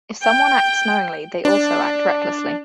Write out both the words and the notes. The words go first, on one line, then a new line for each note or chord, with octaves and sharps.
If someone acts knowingly, they also act recklessly.
G5
D4